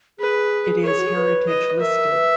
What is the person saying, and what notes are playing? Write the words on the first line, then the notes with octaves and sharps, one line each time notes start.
It is heritage-listed.
G#4 B4
A#4 C#5
G#4
F#4
G#4
B4
D#5
A#4 E5
B4